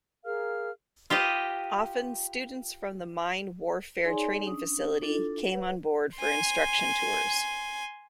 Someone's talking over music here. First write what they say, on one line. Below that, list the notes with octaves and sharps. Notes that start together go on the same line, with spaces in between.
Often students from the Mine Warfare Training Facility came on board for instruction tours.
G#4 A#4 F5 F6
F4 G4 B4 D#5
D#4 G#4 C#5 D5 G#5 C6
C#4 D4 D#6
D4 E4 F4 A4
B4 C#5 F#5
G#5 C6